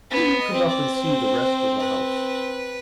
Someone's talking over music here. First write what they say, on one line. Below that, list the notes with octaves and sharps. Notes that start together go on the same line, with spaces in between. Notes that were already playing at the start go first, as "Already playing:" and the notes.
"Will you come up and see the rest of the house?"
B3 G#4
D#5
C4
D5
C5
B4